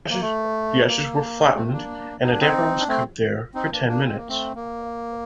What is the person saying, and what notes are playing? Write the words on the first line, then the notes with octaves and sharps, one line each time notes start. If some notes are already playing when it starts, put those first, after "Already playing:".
The ashes were flattened, and the damper was cooked there for ten minutes.
A#3
A3
A#3
D4
A3 C4
C4
A#3 D4
D#4
D4
C4 D#4
D4
A3 C4
C4 D#4
A#3 D4
A#3 D4
C4
A#3
A3 C4
A#3